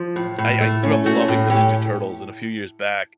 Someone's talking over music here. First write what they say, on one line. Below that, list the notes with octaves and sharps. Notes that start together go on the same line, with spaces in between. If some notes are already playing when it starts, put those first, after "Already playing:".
I I grew up loving the Ninja Turtles, and a few years back,
Already playing: F3
A2
A2
A3
C#4
A3 F#4
A2
C#4 G4